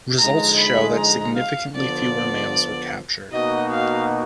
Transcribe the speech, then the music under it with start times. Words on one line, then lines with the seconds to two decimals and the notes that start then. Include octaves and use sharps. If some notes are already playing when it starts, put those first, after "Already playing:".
Results show that significantly fewer males were captured.
0.19 D3 F3 G#3 D#4 A#5
0.59 B5
0.97 A#5
1.36 F5
1.75 D3 F3 B3 D5
3.32 B2 A#3 D#4 F#4 D#5
3.72 F5